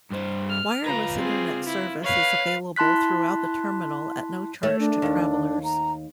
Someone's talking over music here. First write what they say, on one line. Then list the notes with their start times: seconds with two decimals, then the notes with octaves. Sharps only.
Wireless internet service is available throughout the terminal at no charge to travelers.
0.12 G2 C5
0.50 F6
0.86 F4 B4 A#5
1.18 C4 G#4
1.66 E4
2.04 B4 C#5 F5
2.76 E4 A5 C6 F#6 B6
4.63 A3 C#5
4.80 D4
5.02 D#2
5.64 A#5